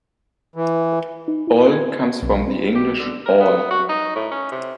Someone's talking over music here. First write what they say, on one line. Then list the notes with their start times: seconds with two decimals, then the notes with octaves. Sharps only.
"Ol" comes from the English "all".
0.56 E3
1.28 D#4
1.47 E4
1.71 G#6
2.22 B1
2.47 C4
2.75 G4
2.99 D3
3.26 A#4
3.40 B3
3.71 F#4
3.89 D#4
4.16 A2
4.31 C#4
4.52 C3